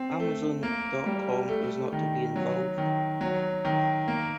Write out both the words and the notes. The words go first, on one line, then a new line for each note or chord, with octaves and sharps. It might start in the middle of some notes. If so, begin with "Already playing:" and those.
Amazon dot com was not to be involved.
Already playing: C4
A3
A#3
G3
A3
D#3
F#3
D#3
F#3
D#3
A#3